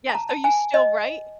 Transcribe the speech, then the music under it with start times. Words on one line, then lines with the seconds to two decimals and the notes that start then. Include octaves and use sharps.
Yes, so you still write?
0.09 A5
0.15 A#5
0.29 A5
0.44 G#5
0.74 D#5